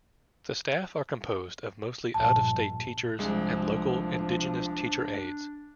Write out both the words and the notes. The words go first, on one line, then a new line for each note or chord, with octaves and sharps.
The staff are composed of mostly out-of-state teachers and local indigenous teacher aides.
A#1 G2 A5
C2 F3 G#3 D4